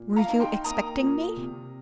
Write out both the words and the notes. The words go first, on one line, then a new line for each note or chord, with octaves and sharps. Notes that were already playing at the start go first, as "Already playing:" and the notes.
"Were you expecting me?"
Already playing: A#2
F5 A#5
D#4
G5 C6
A#3 A#5 D#6
A#2
C3